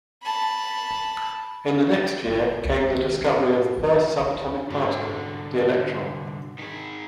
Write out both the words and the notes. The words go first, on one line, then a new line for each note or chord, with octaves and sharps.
In the next year came the discovery of the first subatomic particle, the electron.
A5 B5
G1
C#2
D#3 G#3
A2
F3
D2
C2 G#2 D3 F#4 F#5
D#3 G#4